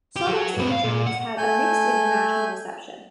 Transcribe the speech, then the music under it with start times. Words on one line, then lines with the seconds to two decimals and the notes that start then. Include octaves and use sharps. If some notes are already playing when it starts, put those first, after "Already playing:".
Saudek's imagery has had a mixed international reception.
0.16 G4
0.27 F#3
0.57 G#2 B4
0.72 F5
0.84 A#2
1.06 F#5
1.37 A3 G#5 G6